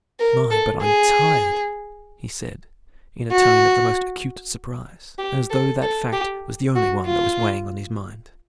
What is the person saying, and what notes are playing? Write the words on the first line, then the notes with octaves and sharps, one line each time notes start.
"My, but I'm tired!" he said, in a tone of the most acute surprise, and as though that fact was the only one that was weighing on his mind.
A#4
A4
G#4
F#4
G4
A4
A4
G4
F#4
F4